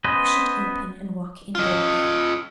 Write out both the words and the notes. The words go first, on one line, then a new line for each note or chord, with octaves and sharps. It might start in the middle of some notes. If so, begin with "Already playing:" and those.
Push it open and walk in boldly.
B3 C#4 B4 C5 D#5
F4 D#5